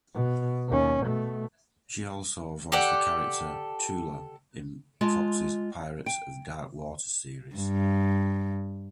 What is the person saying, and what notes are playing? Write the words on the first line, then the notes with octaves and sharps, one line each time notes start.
She also voiced the character Tula in Fox's "Pirates of Dark water" series.
B2
D#2 C#4
B2 A3
G4 A4 D5 F#5
G#3 F4 A5
G5
G2